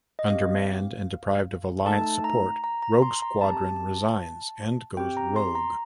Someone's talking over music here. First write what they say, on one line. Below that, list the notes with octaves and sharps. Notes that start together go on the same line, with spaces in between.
Undermanned and deprived of Alliance support, Rogue Squadron resigns and goes rogue.
D#5
C4 G4 F5
A3 D#4 A4 A5
A#5
A#5
A#5
C6
A#5
C4 G4 A5
C4 G4 G5
A#5
C6
A#5